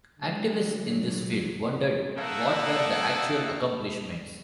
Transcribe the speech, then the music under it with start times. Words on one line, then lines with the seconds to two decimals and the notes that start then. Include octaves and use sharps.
Activists in this field wondered what were the actual accomplishments.
0.16 D3 F#3 G#3
2.17 A3 A#3 D#4 A4 E5 F#5